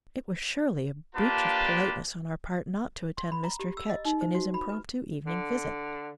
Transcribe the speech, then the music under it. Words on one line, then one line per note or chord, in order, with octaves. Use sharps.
It were surely a breach of politeness on our part not to attend Mr. Ketch in his impromptu evening visit!
A#3 D4 F4 G4 B4 A5
C6
B5
A#5
G4
E6
D#5
D#4
C5
F#4
B5
B4
D3